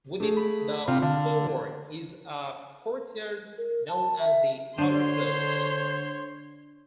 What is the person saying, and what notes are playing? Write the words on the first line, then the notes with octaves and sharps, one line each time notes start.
Within the Forework is a courtyard known as the Outer Close.
A3 G#4
B5
C3 C4 F4
D3 F5
A#4
A5
E5
D3 D4 C5 C#5 C6